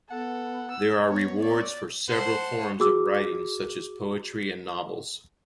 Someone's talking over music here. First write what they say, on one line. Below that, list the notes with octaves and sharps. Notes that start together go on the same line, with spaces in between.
There are awards for several forms of writing such as poetry and novels.
B3 A4 F#5
E6
B3 C#5
C#5 D5
C5 F#5 A5 C6
F#4 G#4 D6 E6